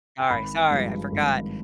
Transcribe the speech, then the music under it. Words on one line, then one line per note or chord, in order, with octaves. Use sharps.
Sorry, sorry, I forgot.
G#5
G#1 B5
G2 F3 G#3
G#1